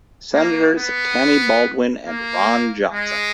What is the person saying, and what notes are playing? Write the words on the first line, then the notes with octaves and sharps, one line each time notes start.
Senators Tammy Baldwin and Ron Johnson.
A#3
B3
A#3
G#3